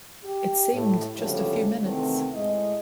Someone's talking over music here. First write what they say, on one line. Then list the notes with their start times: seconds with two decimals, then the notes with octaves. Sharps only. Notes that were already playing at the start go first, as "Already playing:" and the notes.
It seemed just a few minutes.
0.24 G4
0.73 A2
1.19 D2 C#3 F3 G3 A4 C#5
1.84 E2 C3 D#3 A3 C4
2.35 A2 G#3 D#5